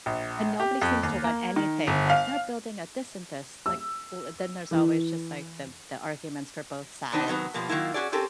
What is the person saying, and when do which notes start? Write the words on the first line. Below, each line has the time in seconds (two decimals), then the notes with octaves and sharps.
And nobody seems to want anything, like, "They're building a this and this," like, will and then there's always just, like, the the arguments for both sides,
0.06 A#1
0.60 G4
0.81 F2
1.03 D#2
1.24 A#3
1.56 D#3
1.87 G1
2.10 F5
3.66 E6
4.71 E3
7.12 D#3 B3 D4 D#4 C5
7.27 C3 D#3 F#3 B3
7.54 B2 F3 G3 A#3
7.68 D#3 F#3 A#3 E4 F4
7.94 C#4 F#4 G#4 D5
8.12 C4 C#4 G4 A4 A#4